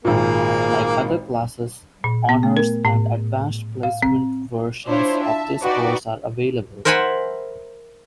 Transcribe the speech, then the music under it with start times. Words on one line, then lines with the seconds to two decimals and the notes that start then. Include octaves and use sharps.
Like other classes, Honors and Advanced Placement versions of this course are available.
0.05 G#1 A#2 A#3 G#4
2.04 A#2
2.29 B3
2.43 A3
2.57 A#4
2.85 A2
3.83 F5
4.02 C4
4.87 D4 E4 F4 C5 C#5
5.21 E5 A5
5.62 D#4 F#4 B4 D5 G5
6.85 A#4 C5 E5 F#5 G#5 B5